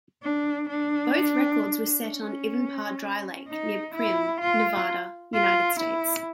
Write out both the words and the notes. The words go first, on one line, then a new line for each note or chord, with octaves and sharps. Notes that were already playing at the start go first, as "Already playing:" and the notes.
Both records were set on Ivanpah Dry Lake near Primm, Nevada, United States.
D4
D4
C#4
D#4
E4
F4
F4
E4